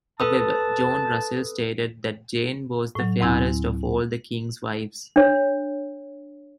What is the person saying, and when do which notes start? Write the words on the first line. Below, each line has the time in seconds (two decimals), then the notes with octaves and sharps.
However, John Russell stated that Jane was the fairest of all the King's wives.
0.20 A4 B4 A5 D#6
2.95 A2 F#3
3.21 D2 C4 E4 G#5
5.16 D4 C#5